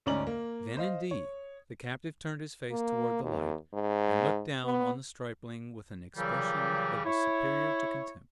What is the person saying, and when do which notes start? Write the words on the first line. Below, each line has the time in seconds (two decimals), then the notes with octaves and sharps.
Then, indeed, the captive turned his face toward the light, and looked down on the stripling with an expression that was superior to contempt.
0.06 D2 G#2 C#4 D5 A#5 F#7
0.27 A#3
0.77 C5 D#5 F5
1.11 C#5
2.71 A#3
3.23 D#2
3.73 G#2
4.65 B3
6.16 A#2 C#3 E3 F#3 G3
7.05 E4 C#5